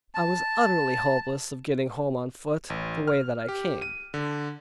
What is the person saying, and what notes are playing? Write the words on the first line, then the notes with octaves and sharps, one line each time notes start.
I was utterly hopeless of getting home on foot, the way that I came.
A5
A1
F6
G4
D#7
D3